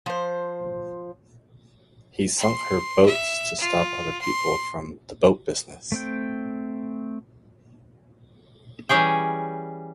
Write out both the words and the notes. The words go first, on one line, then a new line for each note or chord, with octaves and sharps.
He sunk her boats to stop other people from the boat business.
F3 C5
C6
E5
F4
C6
A3 C4 G5
E3 G3 C#4 G#4 G5